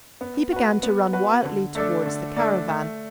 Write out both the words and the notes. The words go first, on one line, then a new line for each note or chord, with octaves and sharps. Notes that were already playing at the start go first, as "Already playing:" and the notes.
He began to run wildly towards the caravan.
B3
F#4 B4
B3
F#4 B4
D3
A3 D4 A4 D5
D3
A3 D4 A4 D5
A3